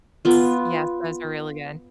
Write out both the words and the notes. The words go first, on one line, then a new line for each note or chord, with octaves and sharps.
Ts Yes. Those are really good.
B3 F4